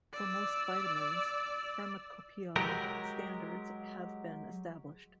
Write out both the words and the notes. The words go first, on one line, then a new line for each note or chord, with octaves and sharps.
For most vitamins, pharmacopoeial standards have been established.
D5 E6
F#3 G#3 G4 A#4